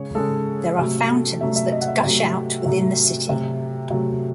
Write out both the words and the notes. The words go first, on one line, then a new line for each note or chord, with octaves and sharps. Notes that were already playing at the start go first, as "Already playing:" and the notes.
There are fountains that gush out within the city.
Already playing: C#3 G#3 C#5
C#3 G#3 A4
C3 F#3 A3
C3 F#3 A3 E5
E5
D#5
F#5
E5
C3 F#3 A3
C3 F#3 A3
C3 F#3 A3
C3 F#3 A3